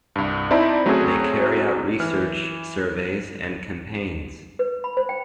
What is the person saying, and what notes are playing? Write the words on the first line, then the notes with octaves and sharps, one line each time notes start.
They carry out research, surveys and campaigns.
C2 G2
C4 D#4 E4 D5 A5 B5
F#3 A3 C4 C#4 F#4 G#4
E3 F6
B4
B5
C5
G5